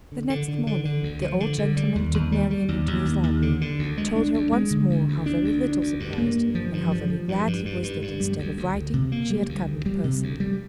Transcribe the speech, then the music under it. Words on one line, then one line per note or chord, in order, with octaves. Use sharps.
The next morning, the old gentleman took Marian into his library, told her once more how very little surprised, and how very glad he was that instead of writing, she had come in person.
D3
D3
D3
D3
D3
D2
F3
D3
D3
G3
D#2
D#2
G3
G3
D#2
D#2
D#2
D#2
D3
D3
D2
G#3
D4
D2
G#3
D3
D2
D2
D4
D2
D4
D2
G2
A#3
G2
F3
G2
F3
F3
G2
G2
G2
G2
G2
G3
D2
D2
D2
C3
A#3
G3
D2
D2
G3
C3
D2
G3